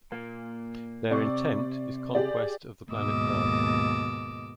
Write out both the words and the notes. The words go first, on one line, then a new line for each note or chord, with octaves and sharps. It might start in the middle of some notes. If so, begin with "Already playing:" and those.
Their intent is conquest of the planet Earth.
A#2 A#3
C3 D5 C#6
G4 G#4 D5
D#2 G#2 B2 D#5 D6 E6